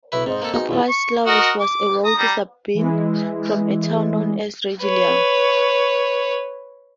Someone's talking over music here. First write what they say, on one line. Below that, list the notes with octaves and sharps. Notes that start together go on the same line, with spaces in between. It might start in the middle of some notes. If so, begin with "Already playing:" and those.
Appius Claudius was a wealthy Sabine from a town known as "Regillum".
B1 E4 B4
G#2 C4 C5 D#5
A#3 A4
B3 D#4 F#4 G#4
A#1 D#2 A2 E4 F4 G#4
C#6
F#4 A#4 D#5
D6
A#5 D#6
G3 A#5
E3 G#3 E4
B4 C#5